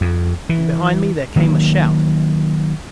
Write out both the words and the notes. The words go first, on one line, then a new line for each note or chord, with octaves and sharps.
From behind me there came a shout.
F2
E3
D#3 F#3 A#3